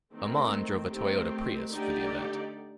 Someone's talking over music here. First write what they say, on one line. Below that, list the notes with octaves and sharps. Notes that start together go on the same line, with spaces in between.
Amon drove a Toyota Prius for the event.
D#3 A3 C4
D#3 A3 C4 G4
D3 A3 D#4 G4 D5